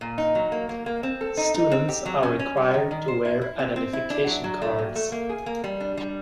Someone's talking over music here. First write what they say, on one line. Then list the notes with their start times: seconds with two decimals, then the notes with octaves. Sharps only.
Students are required to wear identification cards.
0.01 A#2
0.18 D#4
0.35 F#3
0.52 A#3
0.69 A#3
0.86 A#3
1.03 C4
1.21 A4
1.37 D#4
1.54 D#4
1.71 C4
1.89 G4
2.06 F#3
2.23 C#4
2.39 C#4
2.57 G3
2.74 D#3
2.91 D#3
3.08 C5
3.25 E4
3.42 E4
3.59 C4
3.76 C4
3.93 E4
4.10 D4
4.27 F#3
4.44 F#3
4.62 A3
4.78 A#2
4.95 A3
5.12 A#3
5.29 G#4
5.46 A#3
5.64 G3
5.80 D4
5.97 G3